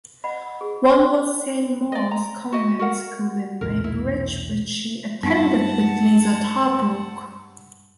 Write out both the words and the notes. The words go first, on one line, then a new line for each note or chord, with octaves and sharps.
One was Saint Maur's Convent School in Weybridge, which she attended with Liza Tarbuck.
D#5 F#5 B5
G#4
D5 D#5
A#5
F#4 D#5 E5
F#4 A#4 F#5
B1 E2 A#2 A#4
E4
G2 B3 D#4 F#5 A5